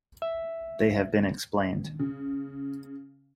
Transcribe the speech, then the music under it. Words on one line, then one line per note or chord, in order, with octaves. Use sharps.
They have been explained.
E5
C#3